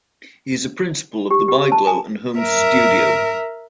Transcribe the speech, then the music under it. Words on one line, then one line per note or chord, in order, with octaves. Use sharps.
He is a principal of the Bigelow and Holmes studio.
G4
G4
A5
G#5
A#4 E5